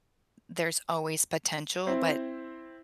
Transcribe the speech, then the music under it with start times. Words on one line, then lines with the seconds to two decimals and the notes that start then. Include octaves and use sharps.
there's always potential, but,
1.87 C4 E4 C5